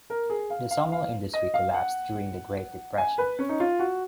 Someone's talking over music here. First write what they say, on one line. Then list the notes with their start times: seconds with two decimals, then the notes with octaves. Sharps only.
The sawmill industry collapsed during the Great Depression.
0.10 A#4
0.30 G#4
0.50 F5
0.71 F5
0.92 F5
1.33 D#5
1.54 F5
1.74 F#5
2.98 G#5
3.18 B4
3.39 C#4
3.49 D#4
3.60 F4
3.79 F#4